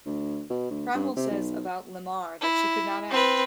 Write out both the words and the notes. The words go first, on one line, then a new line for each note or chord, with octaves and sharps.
Cromwell says about Lamarr that she could not act.
D2
B2
D2
G2
C3
B1
E4
C4 B4